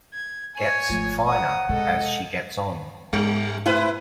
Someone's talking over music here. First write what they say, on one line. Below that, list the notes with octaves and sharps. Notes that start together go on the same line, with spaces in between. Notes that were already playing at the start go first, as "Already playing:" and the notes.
Gets finer as she gets on.
G#6
C#5 G#5
G#1 F3 A3 F4
C5 C#5 F5 F#5 A#5 D#6
C3 G#3 A4 D#5
G#2 G3
A2 C3 E4 B4 C5